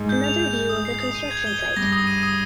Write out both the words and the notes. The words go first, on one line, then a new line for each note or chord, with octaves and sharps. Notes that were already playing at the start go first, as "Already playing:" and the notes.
Another view of the construction site.
Already playing: G#2
G6
F7
G6
G6
D#6
C7
D#6
D#7
G#6
G7
G#6
G2 A#6
D#6
D#7
D#6